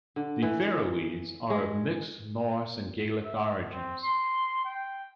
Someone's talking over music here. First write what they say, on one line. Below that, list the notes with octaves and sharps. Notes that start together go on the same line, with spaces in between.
The Faroese are of mixed Norse and Gaelic origins.
D3
E3
G#3
E5
C4
C6
G5